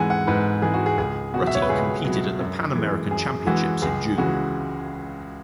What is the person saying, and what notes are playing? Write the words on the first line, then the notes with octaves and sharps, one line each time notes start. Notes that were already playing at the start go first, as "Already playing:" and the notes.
Rutty competed at the Pan American Championships in June.
Already playing: G#2 E3 G#3 F#5 G#5
F#5
G#2 B4
E3 G#3 G#4
F#4
G#4
C#2 G#4
B2 F#3 F#4
E5
C#5
B4
C#2 G#4
B2 F#3
F#2
E3 G#3
F#2 G#4
E3 G#3 F#4
C#2 G#4
C#3 E3 G#3 F#4